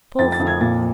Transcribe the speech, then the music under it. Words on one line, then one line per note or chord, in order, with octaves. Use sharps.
Poor father!
F2 A6
A6
F2
G#6
A#2 A6